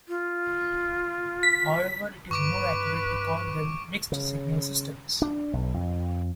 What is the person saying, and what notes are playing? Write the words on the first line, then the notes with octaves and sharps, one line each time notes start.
However, it is more accurate to call them mixed-signal systems.
F4
B6
G2 B4 C#6 D6 D7
C#3
D4
B1
F2